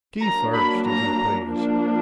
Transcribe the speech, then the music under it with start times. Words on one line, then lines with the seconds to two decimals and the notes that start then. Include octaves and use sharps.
Tea first, if you please!
0.21 F#3 A#3 D4 A#5
0.54 B5
0.86 A#5
1.50 F3 A#3 D4